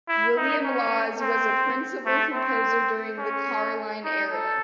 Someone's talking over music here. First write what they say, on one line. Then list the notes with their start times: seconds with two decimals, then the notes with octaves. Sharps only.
William Lawes was a principal composer during the Caroline era.
0.08 E4
0.37 D#4
0.65 C#4
1.21 C4
2.06 A3
2.34 C4
3.19 C#4
4.04 D#4
4.32 A4